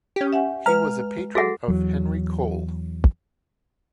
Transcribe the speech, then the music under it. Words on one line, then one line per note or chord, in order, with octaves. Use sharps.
He was a patron of Henry Cole.
C#4 G4
E5 F#5 G#5
G#3 B4 A#5 F6
F#4 G#4 A4 F#5 A#6
E2 F#3